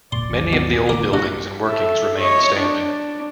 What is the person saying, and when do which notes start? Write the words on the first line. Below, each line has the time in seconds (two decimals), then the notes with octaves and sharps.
Many of the old buildings and workings remain standing.
0.12 E1 A#2 D5 C6
0.30 G#1 D#2 F#3
0.53 B2
0.73 G#4
0.89 A1 D3 A#3 A#4 D6
1.14 G2 E4 F#4
1.66 A4 E5
2.18 C#5 D#5
2.59 D4